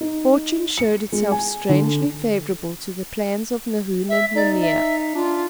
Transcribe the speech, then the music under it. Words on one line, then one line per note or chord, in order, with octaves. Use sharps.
Fortune showed itself strangely favourable to the plans of Nahoon and Nanea.
D#4
C#7
G#3
G#5
D3
E5
D#4 D5
E5
D4 F4